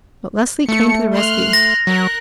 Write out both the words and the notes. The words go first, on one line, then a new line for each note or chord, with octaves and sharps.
But Leslie came to the rescue.
A3 C#7
C6 F6 F#6
A#6
F#3 A#4 F#6